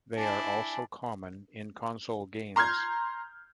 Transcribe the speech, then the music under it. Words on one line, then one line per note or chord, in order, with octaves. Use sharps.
They are also common in console games.
D4 E4 G#5 A5
A#5 C6 F6 G6 G#6